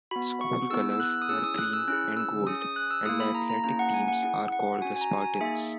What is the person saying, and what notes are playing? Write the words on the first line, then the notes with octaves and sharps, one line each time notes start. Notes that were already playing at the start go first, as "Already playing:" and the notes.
School colors are green and gold, and the athletic teams are called the Spartans.
B3 F#4 B5
C#6
B3 E4 G#4 E6
E6
F#6
D#6
C#4 E4 G#4 E6
D#6
F#6
E6
C#4 E4 G#4 F#6
E6
C#4 G#4 D#6
D#6
F#6
E6
A#3 E4 G#4 D#6
B5
A#5
A#5
A#3 C#4 E4 G#4 A#5
F#5
G#5
F#5
C#4 E4 G#4 F#5
F#5
C#4 F#4 G#5
G#5
A#5
G#5
A#3 D#4 G#4 E5